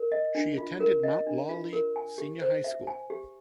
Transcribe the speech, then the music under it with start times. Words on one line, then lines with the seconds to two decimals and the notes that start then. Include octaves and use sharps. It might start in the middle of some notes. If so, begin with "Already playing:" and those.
She attended Mount Lawley Senior High School.
Already playing: A#4
0.12 D#5
0.35 D4
0.58 F4
0.80 A#4
1.03 D#5
1.27 D4
1.49 F4
1.73 A#4
1.96 G#5
2.18 G4
2.41 C5
2.64 E5
2.87 G#5
3.10 G4